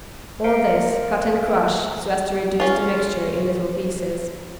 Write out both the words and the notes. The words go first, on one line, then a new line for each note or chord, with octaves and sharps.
All this cut and crush so as to reduce the mixture in little pieces.
A#4 C5 F5 A#5 C#7 D7
C#4 F4